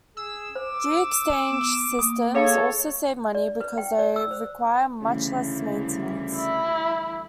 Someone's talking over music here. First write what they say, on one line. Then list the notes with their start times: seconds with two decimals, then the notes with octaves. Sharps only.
Geo-exchange systems also save money because they require much less maintenance.
0.17 G#4 E6
0.55 C5 D6
1.50 B3
1.99 A#3 D#6
2.35 G#4 A4 C#5 F5 A5
3.35 D5
3.60 B4
3.78 G5
3.99 D5
4.16 E6
4.31 C5
5.02 D2 C#3 E3 G3
6.35 E4